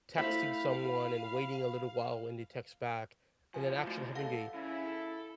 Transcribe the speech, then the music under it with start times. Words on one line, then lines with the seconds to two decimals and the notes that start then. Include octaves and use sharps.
texting someone and waiting a little while when they text back, and then actually having a
0.18 A3 E4 C5 F5 B5
3.54 G2 F3 E4 G#5
3.87 A3 F#4 A6
4.15 A4 F5 F#5 A#6
4.54 C#3 E4
4.85 A4